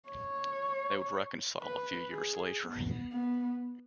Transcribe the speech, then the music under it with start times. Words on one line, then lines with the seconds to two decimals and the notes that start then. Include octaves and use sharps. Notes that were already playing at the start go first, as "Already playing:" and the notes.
They would reconcile a few years later.
0.09 C#5
1.61 B4
2.11 G#4
2.62 B3
3.12 B3